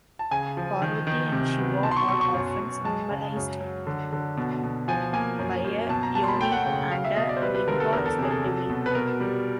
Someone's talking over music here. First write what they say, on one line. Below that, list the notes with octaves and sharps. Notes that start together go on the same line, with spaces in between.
Parvati and Shiva are often symbolized by a yoni and a linga respectively.
A5
C#3 G#5
F3
D#3
D#3
C3
B3
B2 A5
C6
C#6
F#3 C#6
C#6
F#2
F#2
G#3 A5
C#3
F#2
F#3
D3
D3
B2
B2
F3 G#5
A#3 G#5
F#2
F#2
B2 A5
A#5
A#3 A5
C6
B5
A3 G5
F#5
C#3 G5
F#3 F5
E5
B2 D#5
D5
C5
G3 B4
B4
D3 A#4
A4
E2 A#4
A4
C3 G#4
A4
F#3
B2
B4
B2 A#4
G3